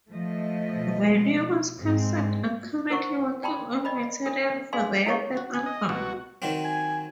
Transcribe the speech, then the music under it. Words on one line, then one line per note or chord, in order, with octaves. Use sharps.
Venomous Concept are currently working on material for their third album.
F3 A3 D#5
B2
G#2 G#3 C4
E4 A#4 C5 F#5 C#6
D5 G5 A5 B5 C6 D#6
D5 D#5 B5
D4 A4 D#6
D4 G#4 D5 F5 G#5 C6
E4 G#4 A4 C#5 D#5 C#6
F#4
G#5
D#5
C2 B2 F#4
D#3 F#3 C4
G#5